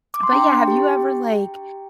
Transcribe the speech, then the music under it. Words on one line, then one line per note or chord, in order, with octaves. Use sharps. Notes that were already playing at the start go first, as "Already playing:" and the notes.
but, yeah, have you ever, like,
D6
C6
D4 G5 A#5
G4